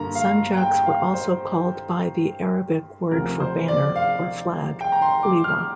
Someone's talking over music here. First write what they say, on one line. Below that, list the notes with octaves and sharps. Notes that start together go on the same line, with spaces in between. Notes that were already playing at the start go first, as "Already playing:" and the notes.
Sanjaks were also called by the Arabic word for banner or flag: "liwa".
Already playing: G2 D3 A#3 A#5
F5
G5
F5
C5
D2 C3 F3 A#4
C5
D5
F5
G5
A#5
C6
D6
F6